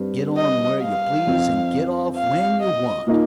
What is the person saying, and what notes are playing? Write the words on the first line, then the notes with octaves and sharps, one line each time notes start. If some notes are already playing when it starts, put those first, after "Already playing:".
Get on where you please and get off when you want.
Already playing: G2 C4
D#5
F5
F2 F3 C4
F5
D#5
A#2 A#3 D#4